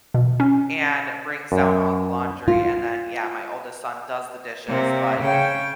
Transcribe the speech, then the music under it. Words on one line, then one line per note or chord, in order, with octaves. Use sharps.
and brings down all the laundry and then yeah, my oldest son does the dishes, but,
B2
C#4
F#2
F4
C3 A#3
C#3 G5